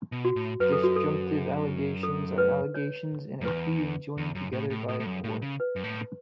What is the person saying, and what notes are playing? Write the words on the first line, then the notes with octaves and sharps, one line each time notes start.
Disjunctive allegations are allegations in a pleading joined together by an "or".
B2
F#4
A2
F#2 B4
A4
F#4
A4
A4
B4
C#5
F#2
E2 B4
E2
F#2
A2
A2
A2 A4
A2
F#2
A2
C#3
B4
F#2
A2